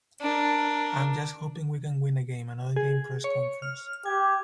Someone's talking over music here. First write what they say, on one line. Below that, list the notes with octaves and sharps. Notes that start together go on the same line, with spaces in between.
I'm just hoping we can win a game, another game press conference.
D4 A#4
G#4
C#5
F6
G4 G#6